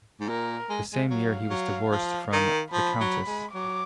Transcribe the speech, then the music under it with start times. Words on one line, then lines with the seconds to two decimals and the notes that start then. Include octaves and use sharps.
The same year he was divorced from the Countess.
0.21 G#2
0.28 A#2 A#4
0.70 G#3
0.93 G#3
1.09 F#3 F5
1.50 F#3
1.91 F3
2.32 D#3
2.72 F3 B5
3.01 F#3
3.27 G#3
3.54 F#3 D6